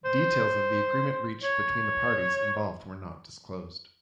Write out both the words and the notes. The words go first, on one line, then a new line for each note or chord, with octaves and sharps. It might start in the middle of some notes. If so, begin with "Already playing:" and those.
Details of the agreement reached between the parties involved were not disclosed.
C5
C#5